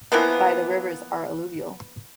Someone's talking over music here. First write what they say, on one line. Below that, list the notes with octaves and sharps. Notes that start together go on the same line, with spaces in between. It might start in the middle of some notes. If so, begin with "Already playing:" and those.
By the rivers are alluvial.
E3 F3 A#3 B3